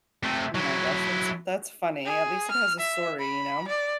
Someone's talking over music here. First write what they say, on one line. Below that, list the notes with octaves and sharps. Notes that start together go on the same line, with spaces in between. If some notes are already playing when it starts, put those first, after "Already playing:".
Oh my gosh, that's that's funny, at least it has a story, you know.
C3 A3
F#3 E4
G#4
F6
E5
B5
D5